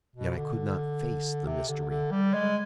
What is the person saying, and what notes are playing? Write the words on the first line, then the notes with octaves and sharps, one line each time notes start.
Yet I could not face the mystery.
B2
D3
C3
D3
D3
G3
G#3